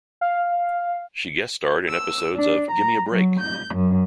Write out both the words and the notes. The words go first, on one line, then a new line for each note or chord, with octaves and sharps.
She guest-starred in episodes of Gimme A Break!
F5
E6
D4
A#5
F#3
G6
F#2